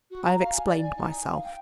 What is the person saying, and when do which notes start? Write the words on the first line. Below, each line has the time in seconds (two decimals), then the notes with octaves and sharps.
I have explained myself.
0.10 F#4
0.26 A#5
0.39 F5
0.52 G#5
0.65 D5
0.82 G#5
0.95 D#4
1.11 G#5
1.30 F5
1.43 G5